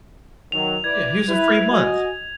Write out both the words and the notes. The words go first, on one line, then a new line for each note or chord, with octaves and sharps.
Yeah, "Here's a free month.
D#3 F#3 F7
E4 B4 D5 G#6
E4 B4
F#4 D#5 G#5